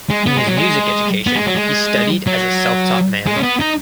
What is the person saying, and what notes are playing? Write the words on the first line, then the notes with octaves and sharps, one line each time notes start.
In his music education he studied as a self-taught man.
G#3
B3
G#3
F#3
G#3
B3
G#3
F#3
G#3
F#3
G#3
C#4
B3
D#4